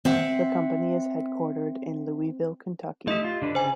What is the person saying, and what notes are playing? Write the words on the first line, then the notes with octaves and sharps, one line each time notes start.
The company is headquartered in Louisville, Kentucky.
C4 E5 F#5
A3 D#4 G4 D#5 E5
F4
D3 D4 B4
C#3 C5 G#5